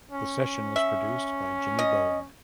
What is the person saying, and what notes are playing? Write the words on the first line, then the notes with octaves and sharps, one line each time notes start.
The session was produced by Jimmy Bowen.
C#4
E5
D#5